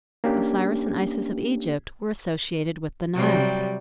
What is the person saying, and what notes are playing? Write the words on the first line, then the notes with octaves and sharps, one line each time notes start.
Osiris and Isis of Egypt were associated with the Nile.
A#3 C#4 D4 G4
C3 F#3 G3